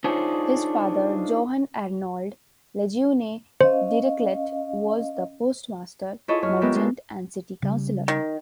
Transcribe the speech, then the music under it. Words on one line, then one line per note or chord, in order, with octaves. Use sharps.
His father Johann Arnold Lejeune Dirichlet was the postmaster, merchant, and city councilor.
D4 D#4 F4 G#4 C5 C#5
C#4 C5 D#5 F5
E4 F4 G#4 A4 C#5 D#5
F#2 C#5 F6
G#3 B3 G4 A#4 E5
G#3 D4
C#3 G3
D#3